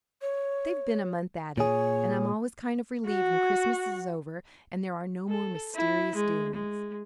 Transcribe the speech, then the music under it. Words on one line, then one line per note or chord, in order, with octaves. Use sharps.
They've been a month at it, and I'm always kind of relieved when Christmas is over and there are no more mysterious doings.
C#5
A#2 G#4 C#5
F#4
A4
E4
G#3
G#3